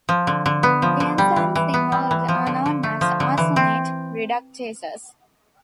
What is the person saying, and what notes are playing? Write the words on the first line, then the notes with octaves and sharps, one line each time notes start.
The enzymes involved are known as arsenate reductases.
F3
D3
D3
B3
F3
D3
G3
E3
E3
B3
G3
E3
F3
D3
D3
A3
F3
D3
E3
C4